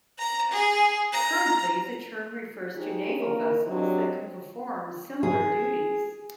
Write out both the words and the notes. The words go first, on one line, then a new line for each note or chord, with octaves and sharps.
Currently the term refers to naval vessels that can perform similar duties.
A#5
G#4
A#5
D#4 G4 G#4 C5 C#5
D3 A#3 A#4
F#3 C4 D4 G4 D#5
G#4